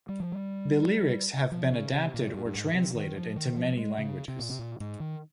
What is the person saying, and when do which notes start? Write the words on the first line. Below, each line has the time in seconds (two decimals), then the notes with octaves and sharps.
The lyrics have been adapted or translated into many languages.
0.09 G3
0.20 F3
0.32 G3
1.52 F3
1.72 C#3
1.94 C3
2.14 A#2
2.34 G2
2.45 G2
2.55 G#2
2.74 C3
2.95 D#3
3.16 F3
3.36 D#3
3.56 F3
3.77 G#3
3.98 C#3
4.28 C3
4.39 A#2
4.49 C3
4.59 A#2
4.80 G#2
5.00 D#3